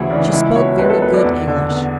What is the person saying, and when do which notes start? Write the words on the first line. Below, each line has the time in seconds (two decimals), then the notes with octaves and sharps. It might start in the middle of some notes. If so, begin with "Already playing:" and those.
She spoke very good English.
Already playing: D2 C#3 E3 E4 G#4
0.10 C#3 E3 D4
0.24 D4
0.33 C#2 E4
0.55 B2 C#5
0.79 C#2 B4
0.90 A4
1.02 B2 B4
1.14 D5
1.24 E2
1.48 D3
1.70 E2